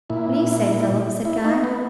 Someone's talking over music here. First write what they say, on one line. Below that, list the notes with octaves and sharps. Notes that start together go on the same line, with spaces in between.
'What do you say, Philip?' said Guy.
A#2 E4
E4
D#4
B3